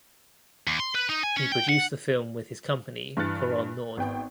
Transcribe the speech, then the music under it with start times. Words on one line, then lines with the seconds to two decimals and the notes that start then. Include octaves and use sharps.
He produced the film with his company Couronne Nord.
0.67 D#2
0.80 C6
0.95 B4
1.09 D#4
1.23 G#5
1.37 C#4
1.52 G5
1.69 F#5
3.17 G2 E3 F6 F#6 A6 C#7
3.97 G#1 B3 G5